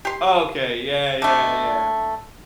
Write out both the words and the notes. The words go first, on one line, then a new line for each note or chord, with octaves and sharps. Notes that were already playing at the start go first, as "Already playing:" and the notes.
Okay, yeah, yeah, yeah.
G4 C6
D3 A3